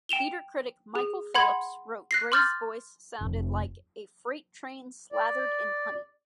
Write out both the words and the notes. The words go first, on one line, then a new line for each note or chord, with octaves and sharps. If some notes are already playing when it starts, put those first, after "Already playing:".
Theatre critic Michael Phillips wrote Gray's voice sounded like "a freight-train slathered in honey".
G5 E7 F7 G7
G#4
F#5 B5 C6 G#6
F#6 A#6 C7
C6 D6 F6 G6 A6
F1
D5